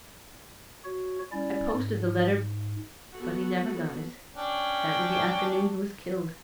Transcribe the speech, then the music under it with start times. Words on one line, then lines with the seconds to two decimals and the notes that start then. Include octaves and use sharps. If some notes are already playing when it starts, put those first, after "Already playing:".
I posted the letter, but he never got it. That was the afternoon he was killed.
0.85 F#4 C#5
1.32 G3 C#4 E4 D5
1.73 G#2
3.14 B3 F#4 A4
4.36 C#4 D4 G5